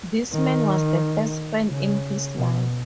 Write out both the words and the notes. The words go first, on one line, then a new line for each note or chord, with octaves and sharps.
This man was the first friend in his life.
D#3
C#3
B2